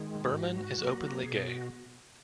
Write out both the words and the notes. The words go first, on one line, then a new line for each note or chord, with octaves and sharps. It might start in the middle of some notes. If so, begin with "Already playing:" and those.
Berman is openly gay.
Already playing: D#3 G#3
G#2 F#4
F#3 A#3
B2 G#4
G#4
F#4